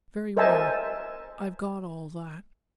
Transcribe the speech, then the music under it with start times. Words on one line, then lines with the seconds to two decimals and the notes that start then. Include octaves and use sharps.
Very well--I've got all that.
0.37 A#4 C5 D#5 E5 G#5 A5